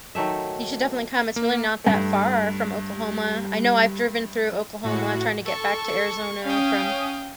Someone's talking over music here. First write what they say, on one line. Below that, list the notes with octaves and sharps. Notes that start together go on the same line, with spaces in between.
you should definitely come, it's really not that far from Oklahoma. I know I've driven through Oklahoma trying to get back to Arizona from,
D#3 F#3 A3 E5
A#3
G2 A3
G3
A2 F#4
A4 C#6
C#4 F5 G5 D#6